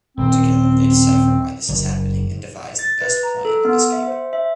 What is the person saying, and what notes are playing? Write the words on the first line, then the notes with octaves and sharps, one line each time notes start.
Together they decipher why this is happening and devise the best plan of escape.
D#1 C4
F#1
A6
B4
A#5
A4
B3
E5
C5
E5